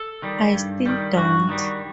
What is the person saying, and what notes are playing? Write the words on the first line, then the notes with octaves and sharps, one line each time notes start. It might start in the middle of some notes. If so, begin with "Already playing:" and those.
I still don't.
Already playing: A4
D#3 G3
G2
D#3 G3
G2 F#4
D#3 G3